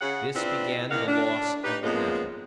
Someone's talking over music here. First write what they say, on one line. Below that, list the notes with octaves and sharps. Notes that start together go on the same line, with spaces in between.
This began the loss of the battle.
C#3 F#5
C4 D4 E4 F4 B4 D5
D#3 E3 A#3 F5 F#5
D4
D#4 G4 B4
F2 F3 G#3 A#3 B3 C#4